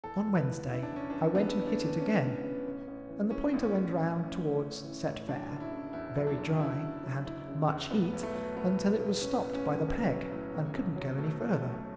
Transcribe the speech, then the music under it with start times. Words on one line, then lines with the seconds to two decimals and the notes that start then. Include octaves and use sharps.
On Wednesday I went and hit it again, and the pointer went round towards "set fair," "very dry," and "much heat," until it was stopped by the peg, and couldn't go any further.
0.03 E2 A4
0.26 E2
0.35 B4
0.47 E3
0.68 C#3 E4
0.83 D4
0.91 E2
0.96 C#4
1.10 E2 D4
1.35 E3 B3
1.56 C#3
1.67 D4
1.78 E2
2.00 E2 C#4
2.22 E3
2.43 C#3
2.66 A1
2.88 A1
3.09 E3
3.31 A2 C#4
3.53 A1
3.64 C#4
3.75 A1
3.97 E3
4.19 A2
4.41 A1
4.63 A1
4.84 E3
5.06 A2
5.28 F#3 D4
5.50 F#1
5.60 E4
5.72 C#3
5.93 E2 E4
6.16 F#3
6.27 D4
6.37 F#1
6.59 C#3 E4
6.81 E2
7.03 F#3
7.25 F#1 E4
7.47 C#3
7.68 E2
7.91 B1 B3
8.13 B1
8.23 A3
8.34 F#3
8.56 A2 B3
8.78 B1
9.00 B1
9.21 F#3 C#4
9.44 A2
9.54 C#4
9.66 B1
9.88 B1
10.09 F#3
10.31 A2
10.54 B1
10.74 B1
10.96 F#3
11.18 B2 A3
11.40 B1
11.51 A3
11.63 B1